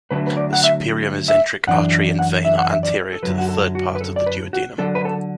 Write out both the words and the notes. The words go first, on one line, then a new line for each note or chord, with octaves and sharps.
The superior mesenteric artery and vein are anterior to the third part of duodenum.
D3 F#3 A3 D4 B4
B4
D5
F#5
E5
E5
F#2 E3 D4 F#5
F#5
E5
F#5
E5
D5
A4
F#2 D3 F#3 B4
F#4
A4
F#4
B4
A4
D5
B4
F#4
D3 F#3 D4 A4
B4
A4